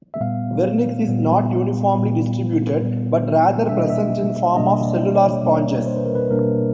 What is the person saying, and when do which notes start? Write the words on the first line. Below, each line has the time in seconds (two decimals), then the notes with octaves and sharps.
Vernix is not uniformly distributed, but rather present in form of cellular sponges.
0.14 E5
0.20 A#2 G3 B3 F5
1.08 A#2 G3 B3
1.95 A#2 G3 B3
2.82 A#2 G3 B3
3.69 B2 G3 A#3 D4 E5
3.79 D#5
3.90 E5
4.56 B2 G3 A#3 D4 D#5
4.85 D5
5.14 C#5
5.43 B2 G3 A#3 D4
5.86 C5
5.96 B4
6.06 A#4
6.15 B4
6.30 B2 G3 A#3 D4 A#4